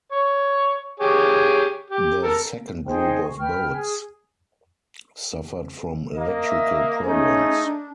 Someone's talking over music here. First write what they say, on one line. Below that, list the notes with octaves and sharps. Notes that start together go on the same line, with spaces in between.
The second group of boats suffered from electrical problems.
C#5
G4 G#4 C#5
G4
A4 A#4
D#4 G#4 C5 G5
C#6
B4 G5 F6
G#4
A#3 D#5
E5
A3 C#4 D#4 G#4
D4